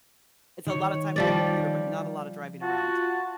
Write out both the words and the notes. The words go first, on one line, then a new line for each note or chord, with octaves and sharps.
it's a lotta time at the computer, but not a lot of driving around.
D#3 C#5
F3 G3 D5
F4 F#4 A5